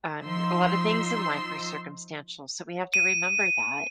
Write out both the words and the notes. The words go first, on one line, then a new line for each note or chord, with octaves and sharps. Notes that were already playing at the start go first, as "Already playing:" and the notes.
Um, a lot of things in life are circumstantial, so we have to remember that.
F3 D#4 C6 E6
D#7